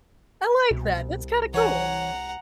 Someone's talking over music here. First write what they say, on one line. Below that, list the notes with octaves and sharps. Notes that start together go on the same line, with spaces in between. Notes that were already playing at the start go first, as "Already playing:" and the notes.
I like that, that's kinda cool.
C2 B2
E3 C#5 F#5 G#5 A#5